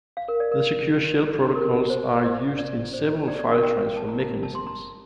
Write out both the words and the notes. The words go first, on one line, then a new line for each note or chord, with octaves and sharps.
The Secure Shell protocols are used in several file transfer mechanisms.
F5
A#4
D5
A#4
A#4
C5
D5
D5
C5
D5
D5
A#4
G5
A5
A#5
A#5
A5
C6
A#5